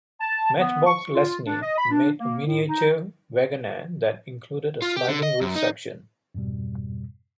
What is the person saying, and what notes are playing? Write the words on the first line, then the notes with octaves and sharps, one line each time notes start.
Matchbox-Lesney made a miniature Wagonaire that included a sliding roof section.
A5
B3
C#6
F4
D4
D#5
B5
D4
A#3
A2
D#4
F4
G4
D3
D#5
F#2
D#4
F2 G#2 B2 G3